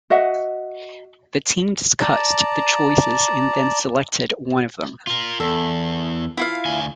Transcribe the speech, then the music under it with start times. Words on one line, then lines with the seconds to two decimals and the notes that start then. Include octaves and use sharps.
The team discussed the choices and then selected one of them.
0.10 F#4 D#5 E5 F#5
2.02 D5 A5 A#5
5.07 F4 A#4
5.40 E2 A4
6.37 E4 F4 F5
6.66 D2 G#5